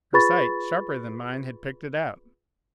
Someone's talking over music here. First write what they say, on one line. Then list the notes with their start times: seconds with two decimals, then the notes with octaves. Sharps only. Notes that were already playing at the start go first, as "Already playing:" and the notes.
Her sight, sharper than mine, had picked it out.
0.13 F4 G#4 B4 B5 C#6 A6